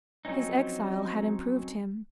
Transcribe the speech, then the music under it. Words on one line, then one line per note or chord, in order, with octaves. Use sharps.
His exile had improved him.
F3 F#3 C4 C#4 D#4